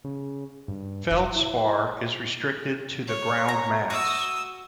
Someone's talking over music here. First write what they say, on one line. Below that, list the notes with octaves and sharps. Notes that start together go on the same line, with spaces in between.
Feldspar is restricted to the ground mass.
C#3
G2
F1
E4
C#5
A#5
F#4 C#6 D#6 E6